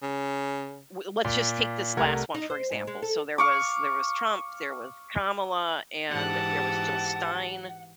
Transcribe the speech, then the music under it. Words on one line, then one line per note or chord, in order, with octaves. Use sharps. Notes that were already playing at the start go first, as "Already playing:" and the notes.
w let's just take this last one for example. So, there was there was Trump, there was Kamala, and there was Jill Stein.
C#3
A#2
C2 A3 A#4 F#5 G#6
D#4
C5
G#2
G#3
A4
F5 C#6 D6
G#2 E3 G4 F#5 A5